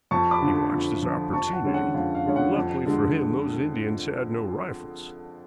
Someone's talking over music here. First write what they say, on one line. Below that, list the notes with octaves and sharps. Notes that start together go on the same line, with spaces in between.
He watched his opportunity, and luckily for him those Indians had no rifles.
F2 A5 C#6
B5 D6
D3 F3
F2
D3 F3
F2 A5 C#6
F#5
D3 G#3 C#4
F#5
F2 F5
F5
D3 G#3 C#4
F#5
F2
D3 G#3